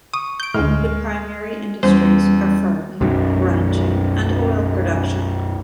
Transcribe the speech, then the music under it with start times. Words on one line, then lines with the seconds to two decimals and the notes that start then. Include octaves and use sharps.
The primary industries are farming, ranching and oil production.
0.14 C#6 D#6
0.40 G6 D7
0.54 D2 A2 G#3 F6
1.83 E2 G3 C#4 C5
3.01 B1 F#2